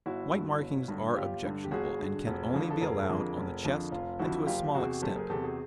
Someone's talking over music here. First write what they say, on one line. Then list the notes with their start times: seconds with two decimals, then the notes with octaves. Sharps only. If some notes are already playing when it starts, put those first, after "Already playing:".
White markings are objectionable, and can only be allowed on the chest and to a small extent.
0.06 G1 E4 F#4
0.33 G2 D3
0.60 G1
0.88 G2 D3
1.16 G1 F4 G4
1.44 G2 D3
1.64 G4
1.71 G1 F#4 G#4
1.99 G2 D3
2.27 F1
2.54 F2 D3 F3
2.70 A4
2.81 F1 G#4 A#4
3.09 F2 D3 F3
3.37 F1
3.64 F2 D3 F3
3.92 F1 F4
4.19 F2 D3 F3 E4 F#4
4.47 F#1 F4 G4
4.74 E2 C3 F#4 G#4
5.02 F#1 G4 A4
5.15 G#4 A#4
5.30 E2 C3 G4 A4
5.43 F#4 G#4